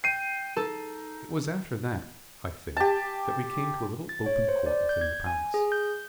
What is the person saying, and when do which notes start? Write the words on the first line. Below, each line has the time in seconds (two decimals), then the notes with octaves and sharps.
'It was after that, I think, that we came to a little open court within the palace.
0.04 G5 C7 D#7
0.57 D#4 A4
2.77 G4 A5
4.09 A6
4.26 C#5
4.49 C5
4.66 D5
4.89 G6
5.01 G#6
5.26 G#5
5.54 G#4
5.72 G6